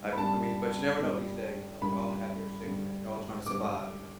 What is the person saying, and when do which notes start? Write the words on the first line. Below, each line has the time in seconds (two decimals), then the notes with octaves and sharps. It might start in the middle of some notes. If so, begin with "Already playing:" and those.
I I mean, but, you never know these days, you know? They all have their restriction, and they're all trying to survive, you know?
Already playing: G2 G3
0.13 B5
0.17 G2 G3 A5
1.00 G2 G3
1.82 G2 G3 B5
2.64 G2 D3 G3
3.46 G2 D3 G3 D6